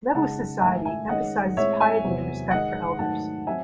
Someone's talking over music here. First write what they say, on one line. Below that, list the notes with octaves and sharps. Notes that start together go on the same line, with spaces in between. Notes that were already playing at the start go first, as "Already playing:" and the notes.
Lebu society emphasizes piety and respect for elders.
C#3 G#3 D#4 F#5 A5
G#2 D#3 A3 E5 G#5
E5 G#5
D#3 G#3 C#4 D#5 F#5
A2 G#3 C4 C#5 E5
E5 G#5
E2 C3 F#3 C4
D#3 G#3 D#4 D#5 F#5
G#2 D#3 F#3 A3 F#5 A5
F#3 C4 E5 G#5